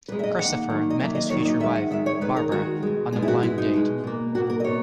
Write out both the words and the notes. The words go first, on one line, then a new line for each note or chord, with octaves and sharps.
Christopher met his future wife, Barbara, on a blind date.
A#2 G#3 B4
E5
D#5
F#3 A#3 F#5
D#3
D#3 F#3 A#3
D#5
D#3 F#3 A#3 E5
D#5
D#3 F#3 A#3 C#5
D#5
D#3 G#3 E5
F#5
D#3 G#3 E5
C#5
D#3 G#3 B4
A#4
D#3 G#3 F#4
B2 G#3
B2 G#3 G#4
E4
F#4
B2 G#3 E4
D#4
B2 G#3
B2 A#3
B2 A#3 F#4
A#4
D#5
B2 A#3 C#5